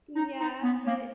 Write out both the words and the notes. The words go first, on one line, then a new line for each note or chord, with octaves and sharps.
yeah, but
D#4
D#4
B3
A#3